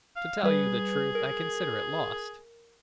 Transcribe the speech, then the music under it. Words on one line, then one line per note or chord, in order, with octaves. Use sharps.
"To tell you the truth, I consider it lost."
F5
G3 G#4 B4
A#4